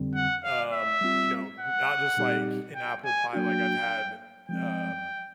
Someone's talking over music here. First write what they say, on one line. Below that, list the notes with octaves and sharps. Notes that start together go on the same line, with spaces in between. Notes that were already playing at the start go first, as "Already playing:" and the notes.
um, you know, not just like an apple pie, like, I've had, um,
Already playing: F2 D3 G3 C4
F#5
F5
E5
G3 C4 F4
F#5
A#2 G3 C4 D#4 G4
G5
G#5
F#3 A#3 D4 F#4 G5
F3 G#3 C4 G5